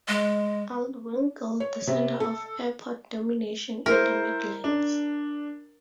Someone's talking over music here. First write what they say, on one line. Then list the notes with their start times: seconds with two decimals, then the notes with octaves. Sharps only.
Aldwincle the centre of airport domination in the Midlands.
0.08 G#3
1.60 C#5
1.87 C3
2.20 A4
3.86 E4 A#4 C5
4.64 D4